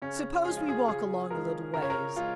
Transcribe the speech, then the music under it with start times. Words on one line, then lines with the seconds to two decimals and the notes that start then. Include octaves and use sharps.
Suppose we walk along a little ways?
0.02 C#3 C#4
0.45 F3 G#3 G#4
0.57 F4
0.69 G#4
0.87 C#3 G#4
1.30 F3 G#3 A#4
1.74 C#3 A#4
1.82 C#5
1.90 A#4
2.16 G#3 F4